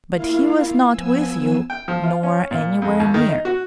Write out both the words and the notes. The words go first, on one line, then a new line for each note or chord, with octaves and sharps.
But he was not with you nor anywhere near.
A#3 E4 F4 F5
F3 B3 G#5 E6
G5
F3
F4
C#4
A#2
F2
D#2
D#3
D#4
F#4